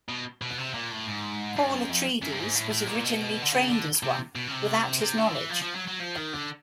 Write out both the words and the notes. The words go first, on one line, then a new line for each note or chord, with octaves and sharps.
Paul Atreides was originally trained as one without his knowledge.
B2
B2
C3
A#2
A2
G#2
G2
F#2
F2
F#2
G2
G#2
A2
A2
A#2
B2
D3
C#3
D3
C3
B2
C#3
C3
C3
D3
E3
F3
F3
F#3
F#3
F3
D#3
D3